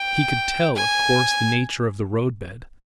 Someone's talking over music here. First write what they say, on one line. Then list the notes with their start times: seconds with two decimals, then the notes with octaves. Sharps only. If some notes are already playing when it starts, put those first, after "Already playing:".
He could tell, of course, the nature of the roadbed.
Already playing: G5
0.75 G#5